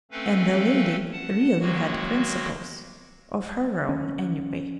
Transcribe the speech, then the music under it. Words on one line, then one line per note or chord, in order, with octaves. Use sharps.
And the lady really had principles--of her own, anyway.
A3 C4 C#4 A4 B4 F5
F#5 A5
D#3 F#3 G#3 A#3 F#4
C#4